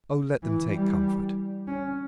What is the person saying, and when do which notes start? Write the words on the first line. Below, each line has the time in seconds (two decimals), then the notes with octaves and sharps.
Oh let them take comfort!
0.42 E3
0.74 G3
1.68 C#4